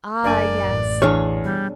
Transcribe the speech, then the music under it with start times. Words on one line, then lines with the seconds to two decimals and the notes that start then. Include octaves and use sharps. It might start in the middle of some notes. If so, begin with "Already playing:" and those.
Ah, yes.
0.24 F#1 A#3 D4 D5 G#5
0.66 A1
1.02 E2 D4 G#4 C#5 F6
1.44 B2 G3